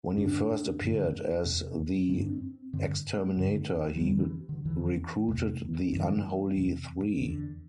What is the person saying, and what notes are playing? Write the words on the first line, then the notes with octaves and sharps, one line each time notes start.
When he first appeared as the Exterminator, he recruited the Unholy Three.
G2 D3 D4
G2 D3
E2 C3
G2 D3 C4
D4
C4
G2 D3
G2 D3
E3
G2 D3 G3
E3
D3
E2 D3 E3
E2 C3
G2 D3 E3
E2 C3
E2 D3